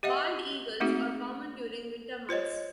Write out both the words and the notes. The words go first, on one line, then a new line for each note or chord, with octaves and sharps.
Bald eagles are common during winter months.
G4 D#5 E5 F#5
A3 A#3 C4 D#4 F#4 G#4
F4 C5 C#5 D#5